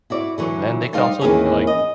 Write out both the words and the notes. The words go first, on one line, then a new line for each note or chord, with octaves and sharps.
then they could also d like
E4 F#4 D5
D3 E3 F#3
G3 D#4 C5 D5 F5
D#2 E3 A#3 C4 C#4 G#4
D#5